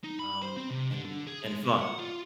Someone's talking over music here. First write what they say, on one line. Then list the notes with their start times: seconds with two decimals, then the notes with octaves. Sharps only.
um, and and fun.
0.04 D#4
0.19 B5
0.42 C5
0.57 C4
0.71 C3
0.91 D3
1.05 D3
1.27 G#4
1.46 G#3
1.63 C3
1.81 F#5
1.99 F4